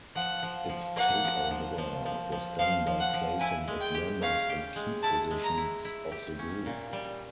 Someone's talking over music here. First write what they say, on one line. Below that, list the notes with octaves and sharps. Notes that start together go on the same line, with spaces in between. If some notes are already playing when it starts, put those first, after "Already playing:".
Its takeover was done by placing its members in key positions of the group.
F3 F#5
F3
F3
A#3 F#5
F3
F3
F3
F3
F3
F3 F5
F3
F#5
F3
E4 G#5
G#3
G5
G4
C#4 F5
G4
G#3
E4 A5
G#3
A#5
E4
E4
G4
C#4
A#2
G3